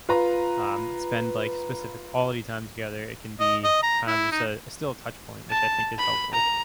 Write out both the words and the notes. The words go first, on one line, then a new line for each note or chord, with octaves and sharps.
um, spend, like, specific quality time together, it can be kind of just a a still touch point which I think is helpful,
F4 B4 A#5
D#5
D#5
A#5
E4
D#4
A5
B5
A#5